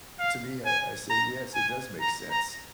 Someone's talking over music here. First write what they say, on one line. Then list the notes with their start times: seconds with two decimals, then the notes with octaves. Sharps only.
to me, I I say, “Yes, it does make sense,
0.19 F5
0.65 G#5
1.10 A#5
1.55 G#5
2.00 A#5
2.31 A#5